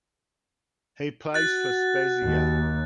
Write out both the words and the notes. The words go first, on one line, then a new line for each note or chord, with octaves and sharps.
He plays for Spezia.
F#4 F#6 A6
D#2